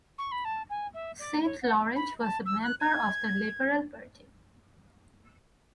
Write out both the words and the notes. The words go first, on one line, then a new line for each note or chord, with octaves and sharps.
Saint Laurent was a member of the Liberal Party.
C#6
B5
A5
G#5
E5
D5
C#5
F#5
B5
A5
E6
F#6
G#6